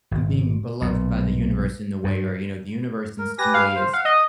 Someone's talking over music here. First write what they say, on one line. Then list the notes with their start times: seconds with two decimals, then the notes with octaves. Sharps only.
I'm being beloved by the universe in the way, or, you know, the universe in some way is
0.11 G#1
0.82 B1 A#2
2.04 G2
3.19 A#4
3.38 G4 B4 G#5 A#6
3.54 F5
3.76 C5
3.93 F5 F#5
4.05 D#5